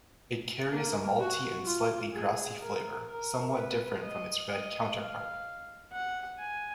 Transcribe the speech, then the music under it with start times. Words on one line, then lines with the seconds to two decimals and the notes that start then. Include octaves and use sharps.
It carries a malty and slightly grassy flavour somewhat different from its red counterpart.
0.72 A#3
1.19 F#4
1.65 F4
2.13 G#4
2.60 A#4
3.08 A#4
3.55 B4
4.03 D#5
4.51 D#5
4.98 F5
5.92 F#5
6.39 G#5